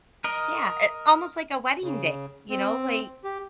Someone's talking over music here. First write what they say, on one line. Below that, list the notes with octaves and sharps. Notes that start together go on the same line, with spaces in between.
Yeah, it's almost like a wedding day, you know? Like
A#4 D#5
C#3
C4
G4